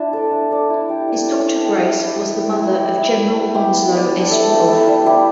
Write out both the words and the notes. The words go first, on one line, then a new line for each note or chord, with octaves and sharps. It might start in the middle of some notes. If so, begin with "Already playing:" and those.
His daughter Grace was the mother of General Onslow S. Rolfe.
Already playing: D4 E4 E5
A4 D5
D4
A4 D5
E4
G4 D5
E4
B4 D5
D4
G4 E5
E4
B4 D5
E4
G4 D5
E4
G4 E5
E4
B4 E5
B3
G4 E5
B3
G4 B4 D5
D4
A4 E5
A3
E4 A4 E5
G3
E4 G4 B4